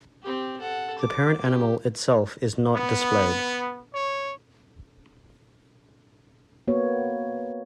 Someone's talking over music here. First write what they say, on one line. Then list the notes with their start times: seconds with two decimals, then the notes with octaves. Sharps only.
The parent animal itself is not displayed.
0.23 C4 G4
0.60 A4 F#5
0.99 D6
1.42 G4
2.76 B3
3.93 C#5
6.68 A#3 B3 F#4 C#5